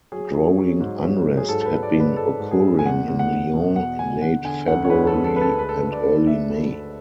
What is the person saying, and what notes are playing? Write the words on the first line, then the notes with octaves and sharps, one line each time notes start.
Growing unrest had been occurring in Lyon in late February and early May.
F#3 G#4
F#3
F#3
G#2
F#3
F#3
G#4
G#2 A4
A4
B4
G#3
D5
G#2
B4
G#2 A4
G#2
G#4
G#3
G#5
E2 F#5
E2
F#5
E2
B2
E2 F#5
E2 G#5
D3 F#5
D3 G#5
D2 F#5
C#5
D2 B4
A4
G#3
A4
D2 B4
A4
G#3 B4
A4
D2 B4
D5
G#3
G#3 E5
D2
D2